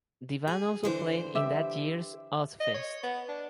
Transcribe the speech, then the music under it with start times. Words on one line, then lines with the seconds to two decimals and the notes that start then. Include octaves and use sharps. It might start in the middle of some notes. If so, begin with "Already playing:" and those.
The band also played in that year's Ozzfest.
0.48 G#4
0.83 D3 E3 C5
1.35 G4 E5
2.60 D#5
2.74 C#5
3.03 B3
3.28 D4